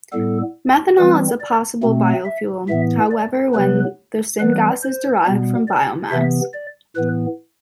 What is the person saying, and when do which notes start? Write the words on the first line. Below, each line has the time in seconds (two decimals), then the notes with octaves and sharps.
Methanol is a possible biofuel, however when the syngas is derived from biomass.
0.12 A2 G3 B3 A4
0.97 E3 G3 C4 B4
1.40 D5
1.83 B2 A3 C4
2.25 E5
2.69 A2 E3 B3 E5
3.11 D5
3.54 C3 F#3 B3 B4
4.40 E3 G3 B3 B4
4.83 C5
5.25 B2 G3 B3
5.67 D5
6.10 C3 E3 B3 E5
6.53 D5
6.96 A2 E3 B3 B4